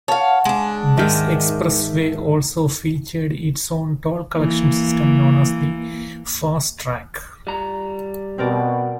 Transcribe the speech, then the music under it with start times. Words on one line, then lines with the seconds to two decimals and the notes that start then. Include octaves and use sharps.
This expressway also featured its own toll collection system known as the "FasTrak".
0.08 C#5 F5 F#5 A5
0.45 G#3 D4
0.98 G#2 D#3 E5
4.39 E3 A#3
7.47 G3 A#5
8.38 B2 C4 A#4 D5